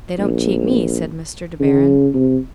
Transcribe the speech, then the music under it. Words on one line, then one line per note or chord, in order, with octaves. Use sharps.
"They don't cheat me," said Mr. De Baron.
A#1
C#3
C3